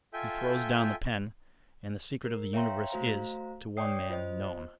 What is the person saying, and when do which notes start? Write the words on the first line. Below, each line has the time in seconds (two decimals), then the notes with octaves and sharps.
He throws down the pen; and the secret of the universe is, to one man, known.
0.13 F4 A4 E5 G5 G#5 G6
2.24 A#4
2.53 C#5 E5 F5 G5 A#5 C6
2.90 A3 F#4 C5 F5 A#5
3.77 C#5 D5 G5 D#6 C7
4.09 F4 C5 D#5